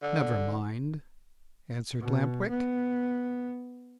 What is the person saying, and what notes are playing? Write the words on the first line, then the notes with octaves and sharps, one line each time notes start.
"Never mind," answered Lamp-Wick.
D3
B2
B3